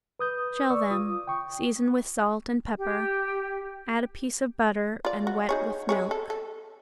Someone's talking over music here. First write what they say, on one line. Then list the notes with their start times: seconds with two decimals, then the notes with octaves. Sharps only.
Shell them, season with salt and pepper, add a piece of butter and wet with milk.
0.19 B4 D#6 G6
0.70 D5 C#6 E6
0.91 F4 D#6
1.27 G5 C#6
2.77 G4
5.05 F4 D5
5.27 F#4
5.49 D#4 G#4 C#5
5.89 G#3 G#4 C#5
6.11 A4
6.30 A4